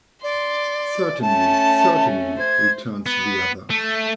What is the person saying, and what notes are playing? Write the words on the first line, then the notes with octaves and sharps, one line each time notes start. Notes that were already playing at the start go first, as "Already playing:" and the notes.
"Certainly, certainly," returns the other.
D5 C6
A3 C#4 A5
C5 G#6
B3
A3